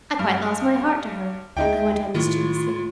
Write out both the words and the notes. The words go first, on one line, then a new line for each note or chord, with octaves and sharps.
"I quite lost my heart to her!" I went on mischievously.
G2
D2 G#3 D#4 E5 G5
A2 D#3 F4